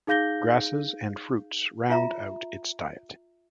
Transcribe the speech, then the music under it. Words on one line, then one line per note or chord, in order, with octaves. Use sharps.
Grasses and fruits round out its diet.
D#4 G#4 F5 G6 A#6 G7
F4 E5 A#5